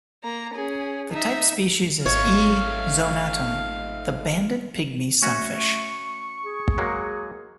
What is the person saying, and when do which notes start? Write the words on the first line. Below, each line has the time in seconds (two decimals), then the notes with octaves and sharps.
The type species is "E. zonatum," the banded pygmy sunfish.
0.24 A#3 A#5
0.54 C#4 G#4
1.11 D#4 E5
2.06 G#1 A3 D#4 C#5 F5
5.22 A3 C#4 F#4 C#6
6.45 G#4
6.78 F#3 G#3 A#3